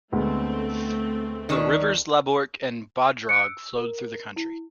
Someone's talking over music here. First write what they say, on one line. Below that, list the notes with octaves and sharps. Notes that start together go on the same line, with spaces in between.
The rivers Laborc and Bodrog flowed through the county.
D2 G#3 A3 B3 C4
D#3 C#4 D4
F#6 C#7 D7
E6
A#4
E4